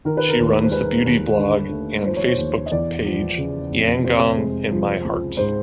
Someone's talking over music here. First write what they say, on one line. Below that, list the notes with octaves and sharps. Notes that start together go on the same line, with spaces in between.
She runs the beauty blog and Facebook page "Yangon In My Heart".
D#3 A#4
B4
A#4
D#2
C5
G#3 B4
D#2
D3
A3
F3 C5
C#5
C5
D#2
D#5
E2 D5
F3
C#3
F1
C3 C5
G#3
F3
C#2
G#2 C5